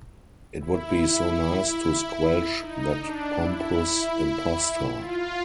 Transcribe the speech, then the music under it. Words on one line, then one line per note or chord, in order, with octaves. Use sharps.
It would be so nice to squelch that pompous impostor.
E4
D#4
D4
E4
F4